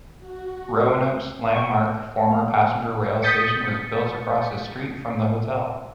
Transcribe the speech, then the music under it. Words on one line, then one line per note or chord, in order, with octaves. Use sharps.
Roanoke's landmark former passenger rail station was built across the street from the hotel.
F#4
G5 C#6
A#3 F5
D#6 G6 A6 B6 C#7